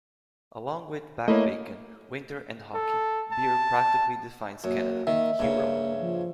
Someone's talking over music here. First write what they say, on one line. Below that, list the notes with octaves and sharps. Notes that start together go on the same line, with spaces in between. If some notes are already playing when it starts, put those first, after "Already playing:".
"Along with back bacon, winter and hockey, beer practically defines Canada," he wrote.
A3 A#3 E4 C#5 D#5
A4
A5
F#2 A#3
D#3 A#3 E5
G2 C#3 A#3
F3